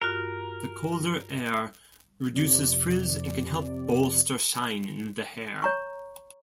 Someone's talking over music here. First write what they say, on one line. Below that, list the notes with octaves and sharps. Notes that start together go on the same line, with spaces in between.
The colder air reduces frizz and can help to bolster shine in the hair.
G2 F4 F#4 A#4
F2 C3 D5
C#5 A#5 C#6